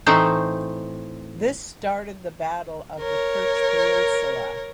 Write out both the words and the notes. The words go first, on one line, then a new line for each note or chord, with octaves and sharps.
This started the Battle of the Kerch Peninsula.
A2 E3 A3 C4 D#4 C5
A#4 C#5